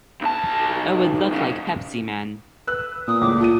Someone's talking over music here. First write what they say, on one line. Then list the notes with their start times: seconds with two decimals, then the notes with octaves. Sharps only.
It would look like Pepsi Man!
0.21 B1 A5
1.31 F#2 C#3
2.67 B4 E6 F#6
3.08 A#2 D#6
3.21 C#2 A2 D6
3.40 F4 A5 D#7